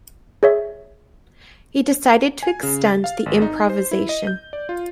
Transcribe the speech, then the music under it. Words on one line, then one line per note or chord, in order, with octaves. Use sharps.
He decided to extend the improvisation.
G#4 C#5 E5
G#5
C#3
A6
F5
G#1
D#4
C5
E4
D#5
G6
D5
F4